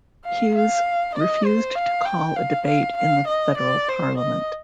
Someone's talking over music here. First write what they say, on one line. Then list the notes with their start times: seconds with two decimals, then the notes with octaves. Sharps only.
Hughes refused to call a debate in the Federal parliament.
0.25 F5
0.55 F5
1.16 D#5
1.46 C5
1.76 F5
2.06 G5
2.36 F5
2.67 F5
2.97 F5
3.28 D#5
3.58 D5
3.89 C5
4.18 D#5